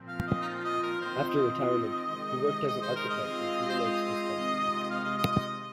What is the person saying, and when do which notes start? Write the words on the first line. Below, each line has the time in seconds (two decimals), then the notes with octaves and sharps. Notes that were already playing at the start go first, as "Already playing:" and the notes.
After retirement he worked as an architect in Three Lakes, Wisconsin.
Already playing: A#2 F3 C4
0.08 F5
0.27 D#5
0.42 D#4
0.45 F4
0.64 D#5
0.83 A#4
1.01 D#3 C4 F4 C5
1.29 D#5
2.12 C3 D#3 G#3
2.68 D#5
2.82 C5
2.96 A#4
3.09 D#5
3.24 G#3 C4 F4 G#4 F5
3.69 C5
3.79 D#5
4.35 C3 D#3 G#3 F4
4.83 D#5
4.91 F5
5.04 D#5
5.18 D#5
5.32 D#5